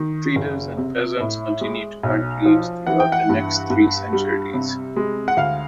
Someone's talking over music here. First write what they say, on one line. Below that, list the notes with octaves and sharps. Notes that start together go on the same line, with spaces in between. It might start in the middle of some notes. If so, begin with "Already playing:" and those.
Traders and peasants continued to accrete throughout the next three centuries.
Already playing: D#3
F#1
C3
A2
G#3
B1
F3
E3 F#5
G5
F#5
G2
G2
G3
C3
G#3
F#5
D2 F5